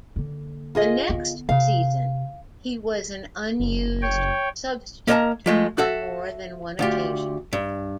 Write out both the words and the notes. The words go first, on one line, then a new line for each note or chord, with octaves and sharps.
The next season, he was an unused substitute on more than one occasion.
D3 A#3
F4 G#4 D#5
D3 B3
C3 F5
F#1
C#5 G5
A#3 A#4 D#5 G5 A5 A#5
F3 G#3 A3
F#4 A4 E5
D2 F4 G4
G2